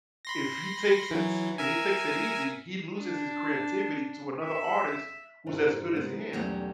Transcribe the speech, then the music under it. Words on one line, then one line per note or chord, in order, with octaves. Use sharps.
if he takes it s he takes it easy, he loses his creativity to another artist who's as good as him.
B5 C6 A#6
E3 F#3
A#4 E5 G#5
D4
E5
G2 E4 A#4 C5
G#3 B3
B1 E2 F#3 G3 A3 C#4